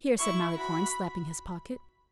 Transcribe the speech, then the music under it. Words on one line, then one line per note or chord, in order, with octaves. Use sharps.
"Here," said Malicorne, slapping his pocket.
E4 C#6
F#4 B5